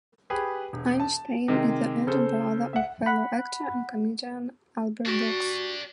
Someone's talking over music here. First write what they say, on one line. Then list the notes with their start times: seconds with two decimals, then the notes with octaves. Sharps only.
Einstein is the older brother of fellow actor and comedian Albert Brooks.
0.30 G4 G#4 B4
0.73 E1
1.00 A5
1.48 C3 D#3 G#3
2.07 C#3 A4 C5
2.73 E5 F#5
3.06 F#5 B5
5.06 D4 F#4 G4